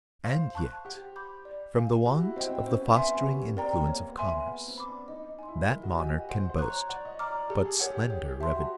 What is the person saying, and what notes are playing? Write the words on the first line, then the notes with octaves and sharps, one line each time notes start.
And yet, from the want of the fostering influence of commerce, that monarch can boast but slender revenues.
C5 F5
A5 C#6 F#6
G4 F#5
B5 D6 G6
D5
F5 G#5
F#4 G4
E4
C4 C5 D#5 G5
C4
C#4 C5
B3
B3 E5 G#5 C6
C4
C#4 G4
C#4
C4 A#4 D5 G5 A#5
A#3
A#3 C#5
B3
E5 G#5 C6
A#3
B3 F#5
C4
B5 D6
D4
D#4 D#5
D#4
G#5 C6
E4
A#4
F#4
G4 D#5 G#5
F#4
C5 F#5
C5
A#5 C#6 F#6
C#5
D5 F#5
D#5
D5 A#5 D6 F6
D5
G4 A4
G#4
G4 A#4 C#5 F#5
G4
G#4 C#5
G4
G4 E5 A5 C6
F#4